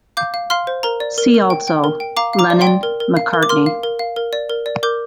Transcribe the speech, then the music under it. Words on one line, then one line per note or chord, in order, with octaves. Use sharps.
See also: Lennon-McCartney.
F5 D6 G6
F5
F5 C6 F6
C5
A#4 A#5
D5
A#4
A#4
G5
G5
A#4
G5
F5 A#5 D6
F5
A#5 D6
D5
G5 C6
D5
A#4
A#4
F5
A#4
D6
A#4 C6 F6
F5
A#4
F5
A#4
D5
A#4
D5
A#4 D6 G6